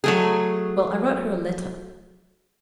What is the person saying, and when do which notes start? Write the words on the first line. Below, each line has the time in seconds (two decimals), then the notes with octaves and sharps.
Well, I wrote her a letter.
0.04 F#3 A3 G#4